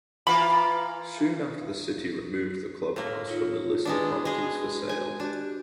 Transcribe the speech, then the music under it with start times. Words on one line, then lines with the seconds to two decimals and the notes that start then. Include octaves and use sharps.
Soon after the city removed the clubhouse from the list of properties for sale.
0.27 E3 A#3 F4 B5
2.96 A2 A#3
3.28 D#4 F4 C#5
3.85 G#3 B3 D4 E4 B4
4.25 G#3 F#4 G#4
4.89 G#5
5.20 D4 F#4 G4